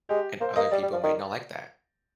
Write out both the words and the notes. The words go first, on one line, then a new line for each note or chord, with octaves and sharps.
and other people might not like that.
G#3 G4
A#3 C5
A#3 D#5
G3 D5
G3
F3
D#3